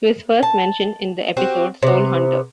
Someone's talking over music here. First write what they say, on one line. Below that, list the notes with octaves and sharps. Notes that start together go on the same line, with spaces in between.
He was first mentioned in the episode "Soul Hunter".
A5
C4 F#4 G4
C3 B3